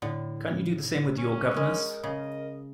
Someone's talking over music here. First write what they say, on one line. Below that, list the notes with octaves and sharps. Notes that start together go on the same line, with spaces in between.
Can't you do the same with your governess?
A2 D3
C#4
G#3 A#4
C#3 D#5